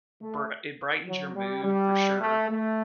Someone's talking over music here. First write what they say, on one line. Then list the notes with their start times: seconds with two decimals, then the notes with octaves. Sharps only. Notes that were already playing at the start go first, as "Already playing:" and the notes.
bri it brightens your mood for sure
0.21 A3
1.07 F#3
1.36 G3
1.64 G3
2.20 A3
2.49 A3